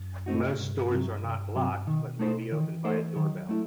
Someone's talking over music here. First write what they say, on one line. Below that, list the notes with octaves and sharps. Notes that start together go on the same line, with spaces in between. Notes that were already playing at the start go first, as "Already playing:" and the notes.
Most doors are not locked but may be opened by a doorbell.
Already playing: F#2
A3 C4 D#4 F#4
A2
C2 G2
C3 F#3
C2
C3 F#3
B2 D#3
A3 D#4 A4 C5
D#3 E3
A3 D#4 A4 C5
D#3 F#3
A3 E4